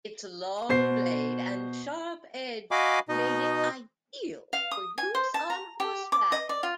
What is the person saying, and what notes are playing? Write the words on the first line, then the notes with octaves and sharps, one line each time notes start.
Its long blade and sharp edge made it ideal for use on horseback.
B2 C5 C7
F#4 D#5 F5 G#5 B5 D6
B2 D#4 D#5
F5
D#6
G#5
C5
A5
A#5
G4
D6
D#5
D5
F4